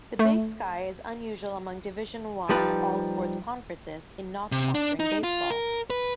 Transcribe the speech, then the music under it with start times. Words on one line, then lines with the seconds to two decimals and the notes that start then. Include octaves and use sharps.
The Big Sky is unusual among Division I all-sports conferences in not sponsoring baseball.
0.19 A3
2.49 F3 G3 D#4 B4
4.52 C3
4.75 D4
5.00 D#4
5.24 F4
5.50 A#4
5.90 B4